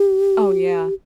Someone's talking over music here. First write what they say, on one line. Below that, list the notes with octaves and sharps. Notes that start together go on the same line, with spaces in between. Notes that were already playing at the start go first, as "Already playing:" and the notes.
Oh yeah.
Already playing: G4